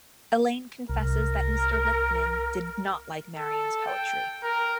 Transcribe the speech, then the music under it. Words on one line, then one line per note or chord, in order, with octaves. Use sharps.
Elaine confesses that Mr. Lippman did not like Marion's poetry.
C2 A#4
A4
G5
A#4